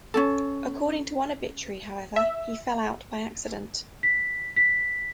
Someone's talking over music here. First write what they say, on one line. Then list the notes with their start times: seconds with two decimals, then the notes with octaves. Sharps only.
According to one obituary, however, he fell out by accident.
0.14 C#4 D4 A4
2.16 E5
4.03 B6
4.56 B6